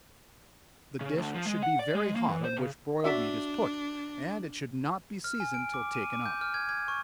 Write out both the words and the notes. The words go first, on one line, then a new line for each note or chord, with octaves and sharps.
The dish should be very hot on which broiled meat is put, and it should not be seasoned till taken up.
C#3
D2
F3
G#3
F#5
D5
G#3
A#3
E3
C5
C#3
D4 F#4 D5 E5
F6
G#5
D7
D6
D#7
D6
G6
F6
G#6
G#6
C#6